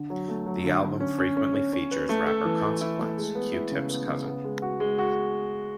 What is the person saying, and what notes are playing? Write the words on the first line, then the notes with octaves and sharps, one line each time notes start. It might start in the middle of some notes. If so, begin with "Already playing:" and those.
The album frequently features rapper Consequence, Q-Tip's cousin.
Already playing: D3
F#3
A3
F#3
D3
D3
C#4
C#4
C#4
C#4
C#4
B4
A3
A4
E3
A4
E4
A3
G#3
B3
E4
C#3
B3
C#3
B3
G#3
F#4
G#3
F#4